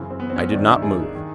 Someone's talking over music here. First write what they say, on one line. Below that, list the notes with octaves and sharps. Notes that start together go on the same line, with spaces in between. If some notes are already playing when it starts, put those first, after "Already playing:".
I did not move.
Already playing: F#2 C#3 E3 C4
C4
B3
C4
C#4
G2 D#3 D4
E4
G#4
D#3